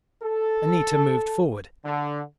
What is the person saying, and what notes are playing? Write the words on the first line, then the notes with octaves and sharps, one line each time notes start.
Anita moved forward.
A4
D3